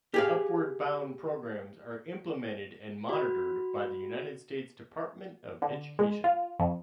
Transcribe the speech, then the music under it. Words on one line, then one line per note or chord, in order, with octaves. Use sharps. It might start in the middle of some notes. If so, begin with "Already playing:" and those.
Upward Bound programs are implemented and monitored by the United States Department of Education.
G4 G#4 F5
F#4 B5
D3
G#3
F4
F2